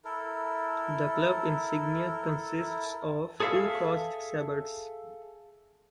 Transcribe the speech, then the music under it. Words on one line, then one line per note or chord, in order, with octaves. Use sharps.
The club insignia consists of two crossed sabres.
E4 A4 A#4
G#4 A4 C5 E5 F5